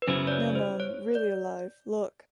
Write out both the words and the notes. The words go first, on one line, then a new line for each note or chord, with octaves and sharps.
No, mum, really alive. Look.
B4
F#2 C#3 F#3 B3 E4 C5
D5
C#5
C5
C#5
D5